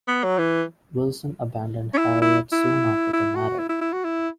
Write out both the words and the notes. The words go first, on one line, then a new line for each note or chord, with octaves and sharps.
Wilson abandoned Harriet soon after they married.
B3
F#3
E3
C#4
E4
E4
E4
E4
F#4
E4
E4
E4
F#4
E4